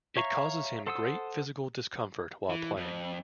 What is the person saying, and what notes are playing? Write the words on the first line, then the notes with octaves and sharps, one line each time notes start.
It causes him great physical discomfort while playing.
C#5 E5 F5 A#5 C#6
A4 C5 F#5 D#6 E6
E3
F2